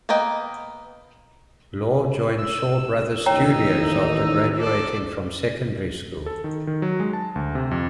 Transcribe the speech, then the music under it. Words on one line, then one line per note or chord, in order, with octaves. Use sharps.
Lau joined Shaw Brothers Studios after graduating from secondary school.
A#3 B3 A#4 D#5 G5
E6
A1 D#2 D#3 D#4 C#5 G5 A#5
A4 D5
A4
D#3
D#3
F#3
G#3
A5
D2
C3
F2